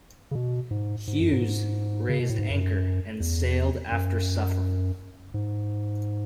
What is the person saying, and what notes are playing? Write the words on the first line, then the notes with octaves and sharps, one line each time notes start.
Hughes raised anchor and sailed after Suffren.
C#3
B2
G#2
G#2
F#2
G#2
C#3
B2
A2
G#2
F#2
E2
F#2
G#2